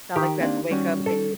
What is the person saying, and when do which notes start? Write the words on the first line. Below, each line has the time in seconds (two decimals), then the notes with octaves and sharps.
It's not like we have to wake up and,
0.16 D#3 G4
0.40 A#3 C4 D4
0.71 G3 C#4 F#4
1.06 A4